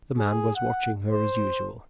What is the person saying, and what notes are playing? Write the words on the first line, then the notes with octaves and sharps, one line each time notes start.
The man was watching her as usual.
G#4
F#5
C5